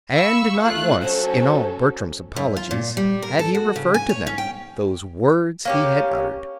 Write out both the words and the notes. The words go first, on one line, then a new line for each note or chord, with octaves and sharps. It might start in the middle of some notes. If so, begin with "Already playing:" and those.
And not once, in all Bertram's apologies, had he referred to them--those words he had uttered.
F5 B5 C#6 E6
A3 F4 F#6
F#3 C#4 A4 C5
F#2
F4
A#2
G3
A#4
A4
F#4
C#3
G#5
C#5
C#4
G5
A#3 C#4 G4